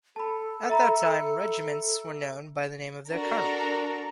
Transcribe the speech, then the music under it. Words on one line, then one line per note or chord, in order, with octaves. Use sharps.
At that time, regiments were known by the name of their colonel.
A4 A5 B5
E5 A#5 B5
D4 F#4 A4 A#4 A#5